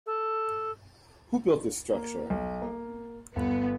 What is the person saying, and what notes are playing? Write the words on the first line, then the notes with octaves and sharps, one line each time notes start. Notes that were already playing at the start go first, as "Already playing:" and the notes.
Who built this structure?
A4
A#3
B1
A#3
G1 B3